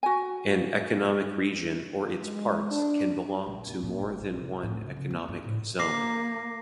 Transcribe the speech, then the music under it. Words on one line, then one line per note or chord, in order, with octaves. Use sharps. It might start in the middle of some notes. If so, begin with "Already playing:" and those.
An economic region or its parts can belong to more than one economic zone.
F#4 G#5
G#3
D4
A#1
D#1
A#2
G1
A#1
C3
A2
C#3
C#3
B3
G2
A2
A#3 D6 A#6 C7